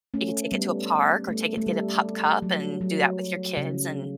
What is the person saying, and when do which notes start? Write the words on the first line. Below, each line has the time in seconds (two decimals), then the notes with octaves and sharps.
you could take it to a park or take it to get a pup cup, and do that with your kids, and,
0.14 A3 C#4
0.52 G3 B3
1.29 A3
1.58 A3
1.67 G3
2.42 F#3
2.81 F#3
3.57 C#3